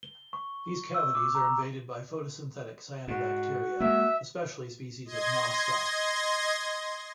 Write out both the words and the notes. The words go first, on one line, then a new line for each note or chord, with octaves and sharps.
These cavities are invaded by photosynthetic cyanobacteria, especially species of "Nostoc".
G7
C#6
E6
D6
A#5
G#2 F#4
G#3 A#3 E5
D#5 C6 G#6 A#6